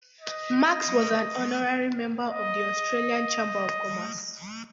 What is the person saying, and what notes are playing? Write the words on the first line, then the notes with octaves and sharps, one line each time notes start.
Max was an honorary member of the Australian Chamber of Commerce.
D#5
D#5